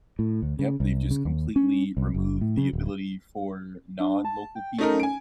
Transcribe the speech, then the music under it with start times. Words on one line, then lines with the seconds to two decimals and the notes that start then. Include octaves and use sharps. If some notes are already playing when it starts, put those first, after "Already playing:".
Yep, they've just completely removed the ability for non-local people
0.19 A2
0.42 D2
0.59 C#3
0.80 C2
1.11 C#3
1.25 D#2
1.56 C#4
1.97 C2
2.14 F#1
2.41 A2
2.57 C#3
2.73 D1
4.00 D4
4.25 A5
4.55 G5
4.78 A3 C#4 D#4 A#4
5.00 G#5 D7